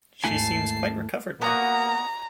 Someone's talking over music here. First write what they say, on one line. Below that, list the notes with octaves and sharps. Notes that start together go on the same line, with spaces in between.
She seems quite recovered now.
G#1 D#2 A3 E4 G#5 A5 C7
A#3 B3 F4 F#4 A#5